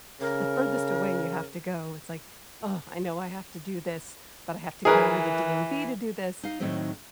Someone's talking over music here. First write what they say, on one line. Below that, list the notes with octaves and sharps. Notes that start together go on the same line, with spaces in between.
the furthest away you have to go, it's like, "Ugh, I know I have to do this, but I have to go to the DMV to do this,
C#3 A#4
E3 G#4 A#4 B4
D#4 F5
A2 D#3 F#3 A3 C4 D#4